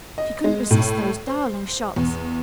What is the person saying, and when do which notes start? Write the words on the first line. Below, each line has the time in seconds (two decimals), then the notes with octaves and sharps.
She couldn't resist those darling shops.
0.18 D#5
0.44 G#3
0.71 A2
1.27 C5
1.96 E2